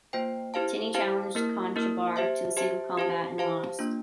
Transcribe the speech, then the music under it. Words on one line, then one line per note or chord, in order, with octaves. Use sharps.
Tinni challenged Conchobar to single combat, and lost.
A#3 F4 C5 G5
E4 G4 C5 F5 A5
E4 G4 C5 F5 A5
A#3 E4 A#4
A#3 E4 A#4
G4 C5 E5 A5
G4 C5 E5 A5
G4 C5 F5 A5
G4 C5 F5 A5
A#3 D4 F4